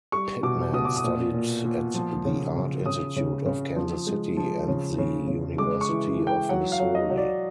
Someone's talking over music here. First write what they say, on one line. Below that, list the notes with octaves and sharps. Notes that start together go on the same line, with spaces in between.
Pitman studied at the Art Institute of Kansas City and the University of Missouri.
G3 C#6
B2 D6
B2 D#6
D6
D#6
A#2
A#2
A#2
F3
C#3
C#3
C#3 D#6
C#3
C#3
F3
G#3
F3
C#3
C#3
C#3
G#3 D6
C#6
E3
E3
G5
F#3 F#5
F5
F#3
D#5
F#3
D5